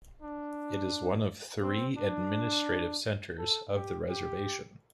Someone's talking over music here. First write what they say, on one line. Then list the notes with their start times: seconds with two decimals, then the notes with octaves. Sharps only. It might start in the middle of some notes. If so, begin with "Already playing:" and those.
It is one of three administrative centers of the reservation.
0.22 D4
1.62 C4
1.97 D4
3.38 A4
3.74 G4
4.09 G4